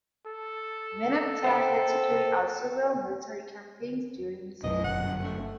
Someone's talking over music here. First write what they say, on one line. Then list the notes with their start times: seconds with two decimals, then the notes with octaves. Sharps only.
Merneptah had to carry out several military campaigns during his reign.
0.27 A4
1.44 C5 E5 G5
4.63 B1 F#2 B2 D#5
4.84 G1 F#2 F#5
5.23 A3